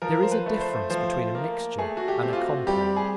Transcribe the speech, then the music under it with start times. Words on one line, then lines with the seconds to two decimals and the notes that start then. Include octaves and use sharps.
There is a difference between a mixture and a compound.
0.02 F3 A#4
0.22 C5
0.31 B4
0.46 A3
0.61 C5
0.90 F3 C5
1.35 A#3
1.78 A3 G#4
1.97 F#4
2.08 G4
2.23 C4
2.33 F4
2.37 F#4
2.67 G3 G4
2.96 G#4